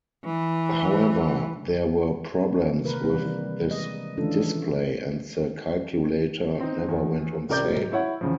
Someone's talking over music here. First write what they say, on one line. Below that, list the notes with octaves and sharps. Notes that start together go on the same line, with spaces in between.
However, there were problems with this display and the calculator never went on sale.
E3
C3 D#3 G#3 A#3 A#4 B4
E3 G3 C4 B4
G#3 D#5
D#3 E3 C#4 D4 F4 A4
C4 D#4
E2
C#2 C3 A#4 D5 D6 G6
G#2 F#3
E4 C#5 F#5
E2 C#3 F3